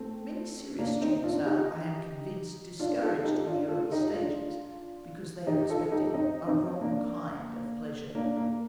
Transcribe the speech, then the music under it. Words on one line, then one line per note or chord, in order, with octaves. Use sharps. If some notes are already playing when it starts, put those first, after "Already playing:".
Many serious students are, I am convinced, discouraged in the early stages because they are expecting a wrong kind of pleasure.
Already playing: A3 C4
A#3 D4
C4 D#4
D4 F4
D#4 G4
D4 F4
F4 A4
D#4 G4
D4 F4
F4 A4
D#4 G4
D4 F4
D#4 G4
F4 A4
D#4 G4
C4 D#4
C4 D#4
A#3 D4
A#3 D4
A#3